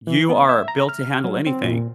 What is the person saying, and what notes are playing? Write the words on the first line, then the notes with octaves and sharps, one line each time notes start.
You are built to handle anything.
E3
B3
E5
A#5
F6
F#3
C4
A#2